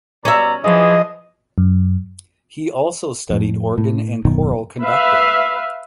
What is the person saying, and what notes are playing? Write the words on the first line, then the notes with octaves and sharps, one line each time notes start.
He also studied organ and choral conducting.
B2 C#4 D5 E5 A#5
E3 F3 G#4 D#5
F#2
F2 A2
A2
D#1 F#2 B2 D#3
B4 E5 F5